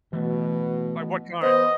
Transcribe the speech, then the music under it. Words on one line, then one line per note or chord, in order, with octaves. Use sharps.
Like, what kind?
B2 E3 A3
B3 C5 D#5